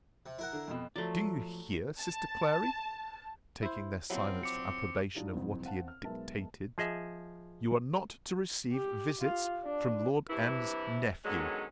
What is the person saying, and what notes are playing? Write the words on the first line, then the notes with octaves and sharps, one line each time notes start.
Do you hear, sister Clary? taking their silence for approbation of what he had dictated; you are not to receive visits from Lord M.'s nephew.
C3
E4 A#4 F#5
D3
F2 B2
F3 F#3 A3 D5
A5
E4 C5
F3 F#3 C4 E4
D6 C#7
F#3 D4 D#4 F4 G4
F#1 C2 F2
C4 F5 F#5 A5
F6
B1 G#3 A#4 B4 E5 A5
F3 G#4 D#5 E5
G4
F4
D4
G2 C3 E3 E4
D3 D#3 F#3 G#3 B3 C#4